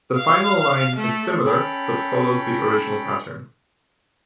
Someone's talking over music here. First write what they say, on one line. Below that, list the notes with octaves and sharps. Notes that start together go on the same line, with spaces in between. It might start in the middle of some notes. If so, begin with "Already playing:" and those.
The final line is similar but follows the original pattern.
F5
A3
C#4 A4 C#5 G5 B5